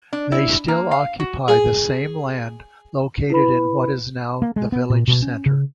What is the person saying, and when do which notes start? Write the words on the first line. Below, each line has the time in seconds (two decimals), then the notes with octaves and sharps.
They still occupy the same land located in what is now the village center.
0.13 D4
0.32 E4
0.68 A#3
0.91 F5
1.20 F#4
1.48 G#4
3.30 E4 B4 B5
4.42 A#3
4.56 G#3
4.72 B3
4.90 A#2
5.08 B2
5.22 C#4
5.46 C#3